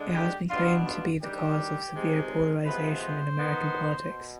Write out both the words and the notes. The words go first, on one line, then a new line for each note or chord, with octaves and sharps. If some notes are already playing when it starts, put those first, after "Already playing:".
It has been claimed to be the cause of severe polarization in American politics.
Already playing: D3 G#3 D4
G4
B2 B3 D4 F4
F4
D#3 G3 D4 G4
C3 D#3 G#3 C4
C3 F3 G#3 B3 B4
C5
D#3 B3 D#4
B2